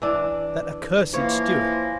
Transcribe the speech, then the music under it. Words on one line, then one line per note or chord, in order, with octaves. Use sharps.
That accursed steward!
E3 D4
E3 F3 A#3 C#5